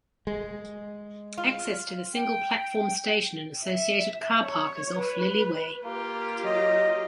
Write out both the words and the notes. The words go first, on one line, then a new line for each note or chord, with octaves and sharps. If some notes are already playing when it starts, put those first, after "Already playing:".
Access to the single-platform station and associated car park is off Lily Way.
G#3
F4
G5
E5
C#5
B4
A#3 F4 G4
F#3 D#5